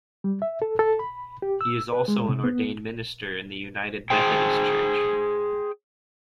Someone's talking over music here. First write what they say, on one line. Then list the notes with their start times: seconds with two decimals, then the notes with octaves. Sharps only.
He is also an ordained minister in the United Methodist Church.
0.24 G3
0.42 E5
0.62 A4
0.79 A4
0.99 B5
1.42 G4
1.61 E6
1.93 B4
2.08 G#3
2.29 C3
2.44 B3
4.10 G#4 C5 G5